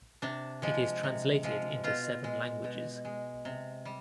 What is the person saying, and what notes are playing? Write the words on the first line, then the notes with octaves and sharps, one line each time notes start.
It is translated into seven languages.
C3 D4
F3 G#3
C3
F3 G#3
B2 F4
G#3
B2
G#3
C3
G3